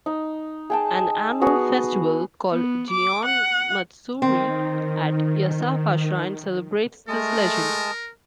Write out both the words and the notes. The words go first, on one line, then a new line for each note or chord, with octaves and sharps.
An annual festival, called "Gion Matsuri", at Yasaka Shrine celebrates this legend.
D#4
G#4 G5 A5
B3 F#4 G#4
B3
D6
F#5
D#3 C4
G#3 A3 A#4 A5 D#6